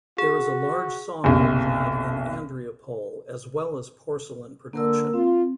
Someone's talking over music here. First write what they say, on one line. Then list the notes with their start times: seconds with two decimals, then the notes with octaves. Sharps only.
There is a large saw-mill plant in Andreapol as well as porcelain production.
0.18 F#4 G#4
1.24 F#1 B1 C3
4.73 D3 A#3 A#4 E6
5.13 C4 F4